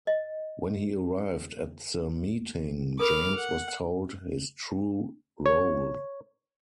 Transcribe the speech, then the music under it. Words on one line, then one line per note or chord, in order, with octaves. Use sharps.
When he arrived at the meeting, James was told his true role.
D#5
A4 A#4 B5 D6 F6
F#5
C#5